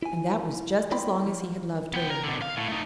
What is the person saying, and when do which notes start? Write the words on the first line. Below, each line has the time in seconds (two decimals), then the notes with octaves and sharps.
And that was just as long as he had loved her.
0.03 E4 G#5
0.91 C4 E4 D5 G5 B5 C6
1.26 F3
1.94 B3 G5
2.10 A#4
2.24 B2 D3
2.42 F5
2.57 A2
2.69 A3 D#4